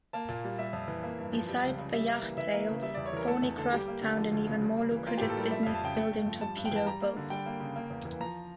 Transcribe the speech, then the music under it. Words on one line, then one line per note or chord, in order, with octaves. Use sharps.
Besides the yacht sales, Thornycroft found an even more lucrative business building torpedo boats.
A#3 A5
A#2
G3
G3 E5
F2
E3
A#3
G2
F3
G3
C#2
C#3
G3 E5
A#3
E3
E3 E5
A#3
C#3
G3 E5
E2 D5
C#5
E3 A#4
A3 A4
E2
D3 A4
G3 G4
A#3
D3
F3
D2
C#3
G3
A#3
E3
A#3 F4
A2 G4
A4
G3 A#4
F3 E5
F2 F5
A5
C#3 G5
A3
G2
F3
G3 A5
G2
G5
E3 A5
G3 A#5
A#3
D3
G3 G5
A#3
C#3
A#3
E2
E3
F3 A#5